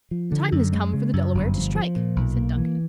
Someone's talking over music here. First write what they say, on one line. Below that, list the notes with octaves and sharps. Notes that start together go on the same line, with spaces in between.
"The time has come for the Delaware to strike!" said Duncan.
F3
D3
F#2
G#3
C#3
F#2
G1
F3
F3
A#2
B1
A#3
E3